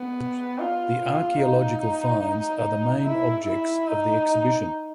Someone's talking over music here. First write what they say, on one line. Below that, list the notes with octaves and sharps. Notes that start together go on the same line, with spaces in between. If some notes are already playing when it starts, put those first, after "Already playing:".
The archaeological finds are the main objects of the exhibition.
Already playing: B3
F4
D#4
E4
E4
D#4